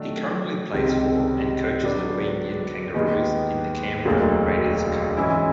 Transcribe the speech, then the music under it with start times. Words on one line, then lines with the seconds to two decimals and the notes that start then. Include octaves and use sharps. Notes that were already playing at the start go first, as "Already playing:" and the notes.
He currently plays for and coaches the Queanbeyan Kangaroos in the Canberra Raiders cup.
Already playing: D#3 F#3 A3 D4 F#4
0.73 C#2 C3 D#3 G3 C4
1.83 D3 F#3 B3 D4
2.94 D#2 D#3 G#3 B3 D#4
4.05 E1 D2 D3 F#3 A#3
5.17 G#2 E3 G#3 C#4 E4